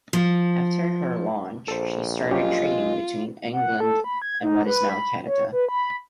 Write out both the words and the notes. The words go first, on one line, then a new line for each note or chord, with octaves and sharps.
After her launch she started trading between England and what is now Canada.
F3
A#1 A4 C5
F#3 G#3 C#4 F4 G4
F#5
A4
B5
G#6
D#4
B4
B5
C#5
B4
B5